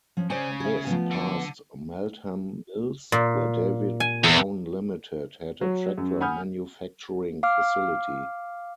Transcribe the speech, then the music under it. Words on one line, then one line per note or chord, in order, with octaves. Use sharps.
This passed Meltham Mills, where David Brown Limited had a tractor manufacturing facility.
F3 C#4
C#3 C5 D5 G#5
G#4 E5
F3 A3 B3
D3
A#2
G#5
E2
F#3
F#2
F#5 G#5 B5 D#6 F6 G6
F5 D6 F6